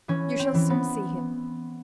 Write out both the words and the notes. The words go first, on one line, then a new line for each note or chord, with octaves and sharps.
You shall soon see him.
E3 C#4
C4
E3
B3